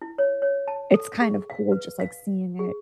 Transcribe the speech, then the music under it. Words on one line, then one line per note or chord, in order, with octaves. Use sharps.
it's kind of cool just, like, seeing it
E4
C#5
C#5
A5
A4
G#4
F5
B4
F5
G#4